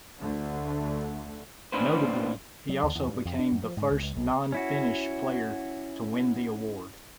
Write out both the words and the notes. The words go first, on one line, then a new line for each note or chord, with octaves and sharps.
Notably, he also became the first non-Finnish player to win the award.
D2 D3 A3
A2 C#4 D4 F4 B4 C5
F#3
D#2
E2
G2
F2
D4
F#2
F3
G#2
C#2
C#2
B1
C#4 E4 F#4